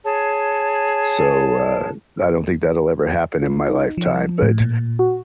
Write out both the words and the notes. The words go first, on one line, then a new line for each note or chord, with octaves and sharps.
So, uh, I don't think that'll ever happen in my lifetime, but
G#4 C#5 A5
F4
D#4
F3
A2
A#2
F#4